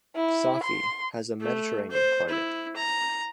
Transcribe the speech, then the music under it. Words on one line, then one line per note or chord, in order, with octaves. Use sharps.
Safi has a Mediterranean climate.
E4
C6
A3
C5
E4
A#5